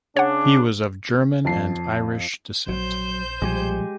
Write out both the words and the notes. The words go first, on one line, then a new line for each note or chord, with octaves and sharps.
He was of German and Irish descent.
C#3 D4 C#5 F#5
F2 A5 C7
A#1 F#3 C5 G6
B1 A#2 F3 G3 G#3 G4 G#5